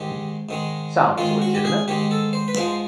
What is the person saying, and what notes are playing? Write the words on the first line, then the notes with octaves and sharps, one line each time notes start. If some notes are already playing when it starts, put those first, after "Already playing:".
Sounds legitimate.
Already playing: G#2 D#3 G#3 G4
G#2 D#3 G#3
G#2 D#3 G#3 F4
F#4
G4
G#4
G#2 D#3 G#3 G4
A4
C5
B4
G#2 F3 G#3 C5